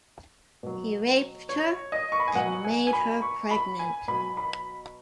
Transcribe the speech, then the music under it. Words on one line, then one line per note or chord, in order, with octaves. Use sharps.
He raped her, and made her pregnant.
B2 F#3
C#5
D#5
C#6
B5
G#5
B2 F#3 F#5
G#5
G#5
B5
C#6
B5
G#5
B2 F#3 B5
B5